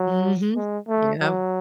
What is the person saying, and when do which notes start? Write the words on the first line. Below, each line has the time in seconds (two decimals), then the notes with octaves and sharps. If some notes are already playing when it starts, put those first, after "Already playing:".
Mhm, yep.
Already playing: F#3
0.56 G#3
0.88 A3
1.20 F#3